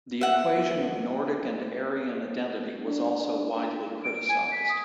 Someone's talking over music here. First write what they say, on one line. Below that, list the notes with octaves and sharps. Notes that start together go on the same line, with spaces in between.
The equation of Nordic and Aryan identity was also widely criticized.
E5 F#5
D4
D7
G#5
B6
D#6